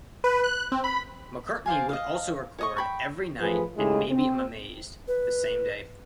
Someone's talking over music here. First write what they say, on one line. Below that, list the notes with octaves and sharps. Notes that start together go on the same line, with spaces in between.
McCartney would also record "Every Night" and "Maybe I'm Amazed" the same day.
B4
F#6
C4
B5
C5 D5 F5 G#5
D#5 F5
C#5 D#5 C#6
G5 B5 C#6
A1 A2 F3 G#4 B4
C#3 G#3 A3 D#4 E4 G4
C4
B4